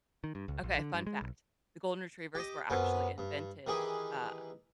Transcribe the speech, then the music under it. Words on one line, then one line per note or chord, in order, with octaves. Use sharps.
Okay, fun fact. The golden retrievers were actually invented, um,
D#3
G2
C#2
A#1
D3
G2
G#3
B1
G4 D#5
F#2 C3 B3 C#4
G2
D#3 E3 G4 G#4